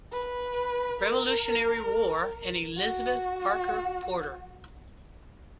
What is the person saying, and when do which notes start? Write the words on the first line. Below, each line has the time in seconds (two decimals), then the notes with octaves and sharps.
Revolutionary War, and Elizabeth Parker Porter.
0.12 B4
1.00 A#4
2.77 F#4